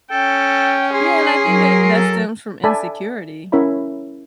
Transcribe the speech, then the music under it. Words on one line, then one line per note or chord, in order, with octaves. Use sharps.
yeah, and I think that, that stems from insecurity.
C#4 A4 G5
G#4 C6
F#3 A#4
A4
A4 D5 E5 G#5 A5 B5
C#4 E4 A#4 C#5 E5 B5